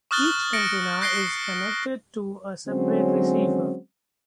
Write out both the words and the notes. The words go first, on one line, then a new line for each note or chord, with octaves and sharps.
Each antenna is connected to a separate receiver.
C#6 D#6 F6 F#6 A6 G7
F6 A#6 C#7 D7
F#6 A#6 C7 D7 G7
D3 F#3 G#3 C4 C#4